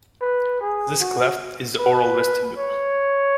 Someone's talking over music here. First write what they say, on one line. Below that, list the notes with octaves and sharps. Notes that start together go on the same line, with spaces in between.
This cleft is the oral vestibule.
B4
G#4
F#4
B4
C#5